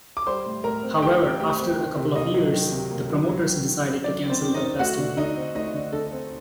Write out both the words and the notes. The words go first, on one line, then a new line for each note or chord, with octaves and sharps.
However, after a couple of years, the promoters decided to cancel the festival.
D6
G3 C5 C6
A2
A2 A#4 A#5
C4
G3 G4 G5
A2
A2 G4 G5
C4
D#3
C3
A#3 D#4 D#5
F#3
D#3
C3
A#3
F#3
F#3
D#3
D#3
C4
F#3 D4 D5
D#3
C4 C5
D#3
D#4 D#5
C4
A3 F#4 F#5
D3
D3 D#4 D#5
C4
A3 D#4 D#5
D3
D3 A4
C4